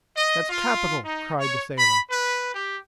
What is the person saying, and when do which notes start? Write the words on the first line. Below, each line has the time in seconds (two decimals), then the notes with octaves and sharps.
"That's capital!" cried the sailor.
0.15 D#5
0.49 F4
1.04 D#4
1.39 C#5
1.77 B5
2.10 B4
2.54 G4